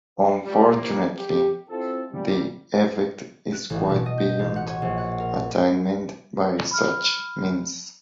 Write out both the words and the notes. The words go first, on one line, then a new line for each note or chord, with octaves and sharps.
Unfortunately the effect is quite beyond attainment by such means.
C#2 G3
G2 E3 F3 A#3
G4
C4 E4 F4 A4
A#2 G3
F#6
A1
B2
D#5
G6
A1
F#5
C#5
A#1
F#5
A#4
B5 F6